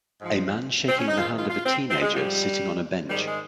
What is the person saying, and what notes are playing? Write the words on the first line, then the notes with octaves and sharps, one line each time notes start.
A man shaking the hand of a teenager sitting on a bench.
G#2 F3
C4
C#4
D#4
G#2 D#3 F4
F4
F4
C4
C4
G#3
G#2 F3 G3
G#2 D#3 G3
G#3